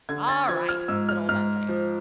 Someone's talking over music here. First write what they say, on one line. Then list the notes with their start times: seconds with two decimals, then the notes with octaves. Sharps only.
"All right," said old Anthony.
0.09 D3 G#6
0.28 A6
0.48 F3 G#6
0.69 F6
0.88 G#2 E6
1.09 F6
1.29 G#2 F6
1.69 F3